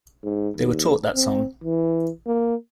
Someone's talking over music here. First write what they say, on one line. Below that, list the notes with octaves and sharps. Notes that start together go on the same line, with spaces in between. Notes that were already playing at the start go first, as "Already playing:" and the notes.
They were taught that song.
G#2
D#2
C4
E3
A#3